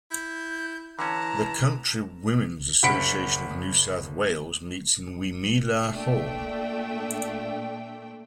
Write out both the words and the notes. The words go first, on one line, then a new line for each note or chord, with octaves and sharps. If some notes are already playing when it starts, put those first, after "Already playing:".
The Country Women's Association of New South Wales meets in Weemelah Hall.
E4 G6
D3 E3 C#4 A5 A#5
F#1 F#5 B5 B6 C#7 D7
A#2 A3 D4 G5